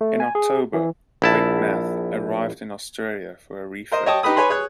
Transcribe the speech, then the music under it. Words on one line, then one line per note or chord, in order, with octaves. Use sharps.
In October, "Quickmatch" arrived in Australia for a refit.
A3
G#5
G#4
E3
A#1 E4 A5
A#4 C5 D#5
C#5 D#5 G5 A5 D#6
D#4 G4 B4 B5 D#6
B4 C#5 G#5 B5 C6
G#4 C#5 F#6